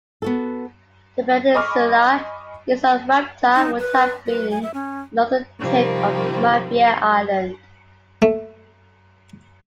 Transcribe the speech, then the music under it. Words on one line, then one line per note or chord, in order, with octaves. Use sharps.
The peninsula east of Rhapta would have been the northern tip of Mafia Island.
B3 F#4 A4
D#5 G#5 B5 C#6 D6 F6
D#4
B4
B4
G#5
E5
C#4
C3 D#3 F3 G3 A#3 C4
A3